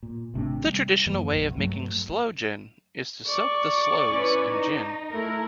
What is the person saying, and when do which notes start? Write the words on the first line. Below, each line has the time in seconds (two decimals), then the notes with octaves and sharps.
The traditional way of making sloe gin is to soak the sloes in gin.
0.03 A#2
0.34 G#1 C3 A3 D4
0.66 G3
1.06 F#2 E3 F#3 A#3
1.36 B1
1.57 G2 F#3 A3
3.28 D5 C#6
4.13 C#4 E4 B4
4.49 D#4
5.12 A3 E4 A#4